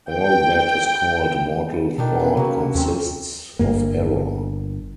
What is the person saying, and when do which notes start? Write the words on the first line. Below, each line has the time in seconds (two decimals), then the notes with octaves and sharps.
All that is called mortal thought consists of error.
0.11 G5
1.98 B2 D#3 D4 A4
2.20 C#3 B4
2.37 C3 F#3 A#3
2.74 D#2 C4 C#4
3.59 G1 G2 A#3